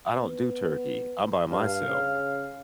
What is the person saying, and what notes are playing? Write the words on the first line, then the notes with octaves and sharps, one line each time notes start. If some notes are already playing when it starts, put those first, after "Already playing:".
I don't do turkey. I'm by myself,
B3
G2 F5
C#3